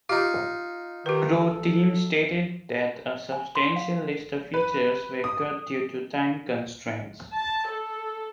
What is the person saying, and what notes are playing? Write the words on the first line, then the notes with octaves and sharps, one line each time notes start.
Croteam stated that a substantial list of features were cut due to time constraints.
D#4 F4 G4
D#3 G4 B4
A4
G#5
C6
F5
B4
D#6
A5
A4